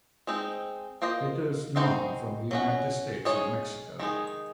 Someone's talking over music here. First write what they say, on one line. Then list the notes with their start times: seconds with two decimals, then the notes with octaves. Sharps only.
It is known from the United States and Mexico.
0.27 G#3 C4 D#4
1.02 A#3 F4 C5 D#5
1.76 G#3 C4 D#4 F#4 C5
2.51 F#3 C#4 F#4
3.25 G#3 D#4 G#4 C#5
3.99 D#3 G#3 D#4 G#4